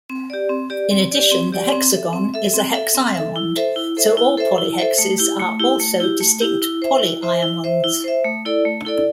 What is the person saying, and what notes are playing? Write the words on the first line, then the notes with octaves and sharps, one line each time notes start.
In addition, the hexagon is a hexiamond, so all polyhexes are also distinct polyiamonds.
C4
G4 D5
C4
G4 D5
C4
G4 D5
C4
G4 D5
C4
A4 E5
C4
A4 E5
C4
A4 E5
C4
A4 E5
E4
A4 C5 E5
E4
A4 C5 E5
E4
A4 C5 E5
E4
A4 C5 E5
A3
E4 G4
A3
E4 G4
A3
E4 G4
A3
E4 G4
E4
C5 E5
E4
C5 E5
E4
C5 E5
E4
C5 E5
A3
E4 A4 D5
A3
E4 A4 D5